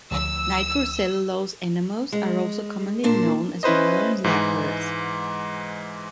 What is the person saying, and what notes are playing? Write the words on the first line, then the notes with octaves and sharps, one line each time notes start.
Nitro-cellulose enamels are also commonly known as modern lacquers.
D2 D3 F3 E6
G#3
A#2 A#3 D4 C5
C#4 E4 B4 C5 D#5
G#2 E3 G#3